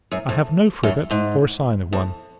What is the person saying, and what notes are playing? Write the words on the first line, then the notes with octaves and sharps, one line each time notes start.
I have no frigate, or a sign of one.
F#2
F2
F#2
G#2
F2